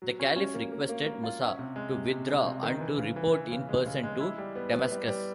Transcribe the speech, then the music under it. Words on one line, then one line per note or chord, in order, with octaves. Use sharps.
The Caliph requested Musa to withdraw and to report in person to Damascus.
F#3
C#4
C#4
A#3
A#3
A#3
A#3
F4
C#4
C3
G#3
C3
C3
G#3
C3
D#3
E3
C#3
E3
E3
C#3
G#3
C#3
G#3
E4
G3
B3
B3
G3
G3